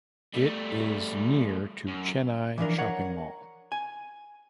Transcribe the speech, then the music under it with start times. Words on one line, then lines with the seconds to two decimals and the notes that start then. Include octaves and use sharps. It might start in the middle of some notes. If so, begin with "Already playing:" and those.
It is near to Chennai Shopping Mall.
0.34 G3 A3
1.88 F#2
2.58 E3 F3 D4 A#4
2.78 A#4 C#5 F#5
3.72 G#5